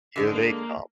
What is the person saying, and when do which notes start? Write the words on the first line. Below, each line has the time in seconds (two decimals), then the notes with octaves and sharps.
Here they come.
0.16 D3 G#3 D4
0.33 A#3